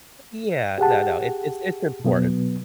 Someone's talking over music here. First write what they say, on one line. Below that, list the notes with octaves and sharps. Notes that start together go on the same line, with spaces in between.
Yeah, no, no, it's it's it's important.
G4 G#4 F#5 A5
B2 F#3 B3